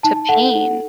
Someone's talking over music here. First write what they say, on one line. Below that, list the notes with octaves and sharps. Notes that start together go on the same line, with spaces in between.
to pain.
D#4 A5
A4 F#5
D#4